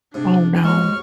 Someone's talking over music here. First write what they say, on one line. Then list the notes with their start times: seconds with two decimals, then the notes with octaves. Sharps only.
Oh, no.
0.14 G#2 C3 D4
0.64 D#2 G#2 F#3 G#3 C#6 F6